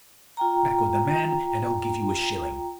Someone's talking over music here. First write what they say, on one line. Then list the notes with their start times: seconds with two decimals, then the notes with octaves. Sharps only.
Come back with the man, and I'll give you a shilling.
0.37 F4 G5 A#5